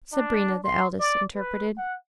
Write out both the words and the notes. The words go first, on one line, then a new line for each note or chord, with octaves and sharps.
Sabrina, the eldest, interpreted.
D4
C6
D5
B4
F#5